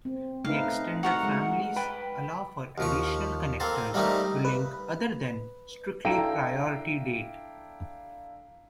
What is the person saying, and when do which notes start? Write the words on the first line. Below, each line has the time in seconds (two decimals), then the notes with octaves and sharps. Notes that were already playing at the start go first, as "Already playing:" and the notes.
The extended families allow for additional connectors to link other than strictly priority date.
0.05 C4
0.44 A3 D#4 B4 F5
1.03 F#4 A#4 F#5
1.23 G#3
1.76 B4 G5 B5
2.78 D#2 F3 C#6
3.60 A#3 C4 A4 C5
3.94 G3 A3 A#3 C4 D#4 G4
4.45 B4
6.05 D4 E4 A4 F5 G5 A#5